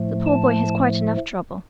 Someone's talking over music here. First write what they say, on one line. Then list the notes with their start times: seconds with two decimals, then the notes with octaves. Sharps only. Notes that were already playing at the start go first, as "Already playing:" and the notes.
"The poor boy has quite enough trouble."
Already playing: A2 F3 A3
0.26 A5